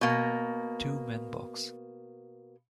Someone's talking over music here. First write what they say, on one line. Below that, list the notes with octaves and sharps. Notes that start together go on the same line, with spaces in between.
Two men box.
B2 A#3